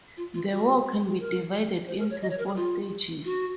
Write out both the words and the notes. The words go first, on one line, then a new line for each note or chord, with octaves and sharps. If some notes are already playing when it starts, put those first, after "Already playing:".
The war can be divided into four stages.
F4
F4
F#4
A#4
C5
A#4
C#5
D#5
C#5
A#4
G#4
F4
F#4